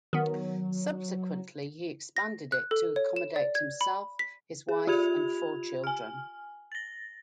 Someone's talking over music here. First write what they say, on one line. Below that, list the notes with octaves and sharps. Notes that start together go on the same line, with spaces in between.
Subsequently, he expanded it to accommodate himself, his wife and four children.
D#3 F#3 B3
A#6
F#6
A4
C#5
E7
D5
G#6
B5
B6
G#4
F4 G4 B5 G#6 F7
G#5 F6
A6 A#6